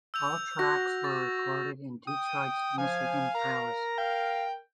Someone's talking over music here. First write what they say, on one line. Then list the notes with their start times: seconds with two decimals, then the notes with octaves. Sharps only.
All tracks were recorded in Detroit's Michigan Palace.
0.14 E6 G6 F7
0.59 F#4 A#6
1.04 C#6 A6
2.07 G5 D#6
2.78 F3 F5 G#5
3.35 A#4 A#5
3.98 F5 G5